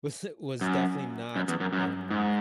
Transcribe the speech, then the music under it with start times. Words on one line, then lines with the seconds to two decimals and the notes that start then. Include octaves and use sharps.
was was definitely not, um,
0.61 F#2
1.36 F#2
1.48 E2
1.60 F#2
1.73 F#2
2.10 G#2